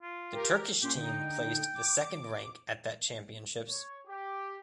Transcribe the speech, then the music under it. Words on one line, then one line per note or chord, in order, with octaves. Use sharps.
The Turkish team placed the second rank at that championships.
F4
G4 A#4
A#2 C#4 G4 C6
D3 D#4 G5
D6
C#5
G4